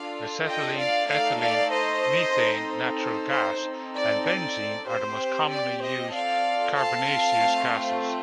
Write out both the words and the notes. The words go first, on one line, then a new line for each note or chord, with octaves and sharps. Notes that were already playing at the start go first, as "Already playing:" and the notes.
Acetylene, ethylene, methane, natural gas, and benzene are the most commonly used carbonaceous gases.
Already playing: D4 F4 A4 D5 F5
D#5 G5
D5 F5
A3 D#4 A4 D5 F5
D5 F5
C5 D#5
C4 D#4 A4
C5
C5
C4 D#4 A4
D5
D5
C4 G4 C5
D5
C5 D#5
C4 F4 A4 D5 F5
F5 A5
A3 C4 F4